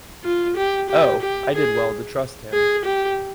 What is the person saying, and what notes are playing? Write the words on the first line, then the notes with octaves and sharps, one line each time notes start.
Oh, I did well to trust him.
F4
G4
G4
G4
G#4
G#4
G4